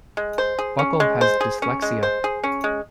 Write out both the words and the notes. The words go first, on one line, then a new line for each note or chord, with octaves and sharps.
Buckell has dyslexia.
G#3
C5
G#4
C#4
G#3
C5
G#4
C#4
G#3
C5
G#4
C#4
G#3